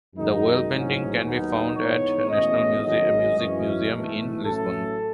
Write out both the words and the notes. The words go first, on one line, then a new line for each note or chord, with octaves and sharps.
The oil painting can be found at the National Music Museum in Lisbon.
F#2 D#3 G#3 D#4
A1 G#2 F#3 C#4
D#2 D#3 F#3 B3 D#4
G#2 E3 B3 D#4 C#5
E2 B2 A3 C#4 D#5
G#1 G#2 D#3 F#3 C#4 D#5
F#2 E3 G#3 C#4
B1 A2 E3 A3
A1 A2 F#3 A3 C#4 A4